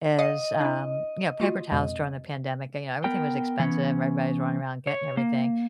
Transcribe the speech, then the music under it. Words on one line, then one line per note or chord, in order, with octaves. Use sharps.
as, um, you know, paper towels during the pandemic, you know, everything was expensive, everybody was running around getting everything.
D#5 F5 F#5
D4 E4
A3 F4 F#4
F2 B2 G#3
B3 A#4 G5
E3 B3 C#4
C#5
A#3